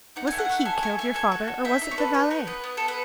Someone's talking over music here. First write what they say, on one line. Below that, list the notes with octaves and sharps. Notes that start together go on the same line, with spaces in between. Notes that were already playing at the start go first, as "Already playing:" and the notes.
Was it he killed your father or was it the valet?
D#4 F#5
G#5
A3
F#5
A3
A4 G#5
A3 G#5
A3 G#5
A4 G#5
F#4
A4
D#4 E5
D#4 E5
C#5
A4 B4
D#4 B4
B3 C#5
B3 B4
B3
B3 A4
B4